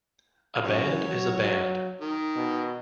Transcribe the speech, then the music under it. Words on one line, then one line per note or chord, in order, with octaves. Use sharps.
A band is a band.
F#2 C#5
F#3
D#3
B2